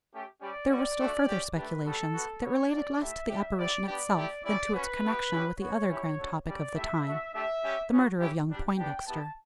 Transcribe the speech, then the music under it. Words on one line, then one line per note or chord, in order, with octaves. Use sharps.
There were still further speculations, that related less to the apparition itself than to its connection with the other grand topic of the time--the murder of young Poindexter.
A3 C#4 G4
G3 C#4 G4 D5
G3 C#4 F#4 D5
A3 D4 F#4
C#4 G4
A3 D4 G4 B4
G3 B3 F#4 A4
B3 F#4
B3 F#4 C#5
C#4 F#4 D5
A3 E4 G4 E5
G3 D4 G4
B3 E4 G4 D5
B3 D4 G4 D5
A3 E4 G4
G3 C#4 E4 D5
C#4 F#4 B4
G3 B3 E4 G4
A3 C#4 E4 G4
B3 F#4 C#5
C#4 E4 G4
A3 D4 F#4
G3 C#4 G4 D5
A3 E4 G4 E5
A3 D4 F#4 E5
A3 D4 G4 E5
G3 C#4 G4
C#4 F#4
C#4 E4 G4
G3 D4 G4
B3 D4 G4 G5
B3 E4 G4 A5